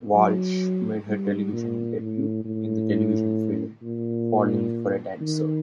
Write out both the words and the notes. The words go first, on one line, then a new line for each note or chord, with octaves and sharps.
Walsh made her television debut in the television film "Falling for a Dancer".
F#3
G3
A#2
A2
A2
A#2
D#3